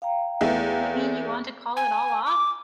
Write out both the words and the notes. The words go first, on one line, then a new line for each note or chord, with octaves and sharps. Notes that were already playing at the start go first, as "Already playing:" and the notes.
You mean you want to call it all off?
F5 G5 A#5
E2 E3 A3
G#5
D6